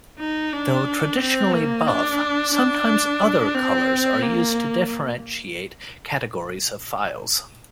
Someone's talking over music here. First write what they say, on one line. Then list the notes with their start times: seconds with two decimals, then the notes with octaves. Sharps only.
Though traditionally buff, sometimes other colors are used to differentiate categories of files.
0.19 D#4
0.53 D4
1.20 C4
1.53 A#3
1.87 D4
2.54 D4
3.55 C4
4.23 A#3